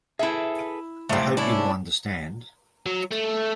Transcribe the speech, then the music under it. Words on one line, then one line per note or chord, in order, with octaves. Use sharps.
I hope you will understand.
E4 G#4 A4 B4 E5
C2 A2 C3 F3 A3 C5
A3 C#4 D4 E4
F#3
A3